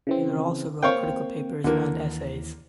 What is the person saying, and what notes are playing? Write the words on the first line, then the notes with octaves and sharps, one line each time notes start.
Taylor also wrote critical papers and essays.
C#3 E3 C4
A#3 C4 C#5 F5 G5
D#2 D3 E3 A#3